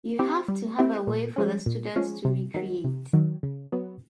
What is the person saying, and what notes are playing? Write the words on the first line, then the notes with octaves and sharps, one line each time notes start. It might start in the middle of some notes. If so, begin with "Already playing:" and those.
You have to have a way for the students to recreate.
C4 E4 G4
G3
C4 E4 G4
A#2
F3 G#3 C#4
A#2
F3 G#3 C#4
C3
D#3 F#3
C3
D#3 F#3
C#3
F#3 B3